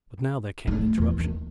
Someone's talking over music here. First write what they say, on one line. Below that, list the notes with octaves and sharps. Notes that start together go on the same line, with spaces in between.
But now there came an interruption.
A3
E2
D#2